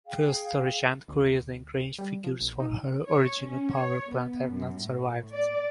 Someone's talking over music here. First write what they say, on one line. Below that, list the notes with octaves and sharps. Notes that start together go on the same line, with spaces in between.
Fuel storage and cruising range figures for her original power plant have not survived.
G#4 F5 G5
D2
G3
F3
A#1
D#4
C#5
C#4
C#5
B3
F#2
A2
D5